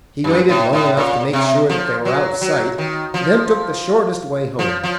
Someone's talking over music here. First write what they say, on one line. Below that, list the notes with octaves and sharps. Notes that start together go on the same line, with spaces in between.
He waited long enough to make sure that they were out of sight, and then took the shortest way home.
F#2
A2
A2
A#2
C3
F3
F#3
F#3
D#3
F3
F3
F3